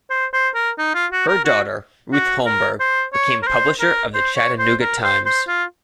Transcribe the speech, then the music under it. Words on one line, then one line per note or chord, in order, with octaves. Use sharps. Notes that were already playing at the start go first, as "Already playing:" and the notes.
Her daughter, Ruth Holmberg, became publisher of "The Chattanooga Times".
C5
C5
A#4
D#4
F4
F#4
A#4
F#4
F#4
A#4
C5
C#5
A#4
C5
A#4
C5
C#5
C5
A#4
C5
C5
F4